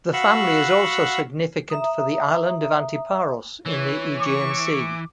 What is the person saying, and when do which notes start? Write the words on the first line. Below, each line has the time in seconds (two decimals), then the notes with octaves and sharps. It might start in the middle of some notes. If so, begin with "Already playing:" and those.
The family is also significant for the island of Antiparos in the Aegean Sea.
0.13 F#4 F5 F#5 B5 C#6 E6
1.70 E5 A#5 D#6
3.66 E3 C#5
4.21 C#6 D6